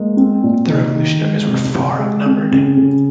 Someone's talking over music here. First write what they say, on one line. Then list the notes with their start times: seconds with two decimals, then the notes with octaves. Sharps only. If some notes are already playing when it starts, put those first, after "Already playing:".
The revolutionaries were far outnumbered.
Already playing: G#3 A#3
0.17 C4
0.43 A#2
0.70 D#4
0.96 D#3
1.21 G#3
1.47 C3
1.74 C3
1.99 G#3
2.26 C4
2.51 C#3
2.77 C#3